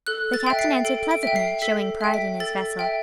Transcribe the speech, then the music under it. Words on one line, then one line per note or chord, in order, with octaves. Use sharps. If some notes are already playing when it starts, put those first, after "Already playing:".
The captain answered pleasantly, showing pride in his vessel.
A4 F#6
A6
E5 G5
C7
A4 D7
D7
E5 G5
C7
A4 B6
E5 G5
B6
A4 A6
E5 G5